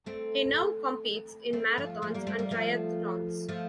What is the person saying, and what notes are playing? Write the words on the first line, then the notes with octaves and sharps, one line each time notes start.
He now competes in marathons and triathlons.
A3 C4
A3 C4
F3 A3
F3 A3
G3 A#3
A3 C4
G3 A#3
F3 A3
F3 A3